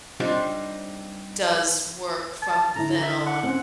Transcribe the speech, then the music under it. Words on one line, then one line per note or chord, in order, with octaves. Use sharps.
does work from then on
G3 C4 D4 D#4 F4 G4
A5
D3 E4 A#5
E5
F#5
C4 C#4 F#5